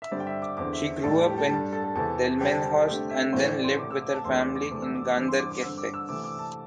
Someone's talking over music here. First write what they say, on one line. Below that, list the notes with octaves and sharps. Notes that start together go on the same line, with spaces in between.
She grew up in Delmenhorst and then lived with her family in Ganderkesee.
E5
G2 D3 G3 C4 D5
G5
E5
D6
E2 D3 C4 D6
E5
A2 G3 D4 A4
A4
G4
A4
G2 G3 D4 A4
A4
A4
E2 C3 E3 A4
C3 G3 C4 G4
A4
A4
A4
D3 A3 C4 G4
E5
A2 E3 A3 C4 C5
D5
C6
C3 A3 C4 D6
E6
D6
A5
E2 E3 A3 D4 C6
D6
D6
C3 E3 A3 D4 D6
E6
D6
D6
G2 E3 C4 D6
C6
D6
D6
G2 D3 C4 E6
D6
E6
C3 E3 A3 D6
D6
A5